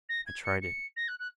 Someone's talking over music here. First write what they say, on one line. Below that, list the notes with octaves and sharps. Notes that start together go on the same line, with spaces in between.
I tried it.
A#6
G#6
C#7
C#7
A#6
F#6
F#6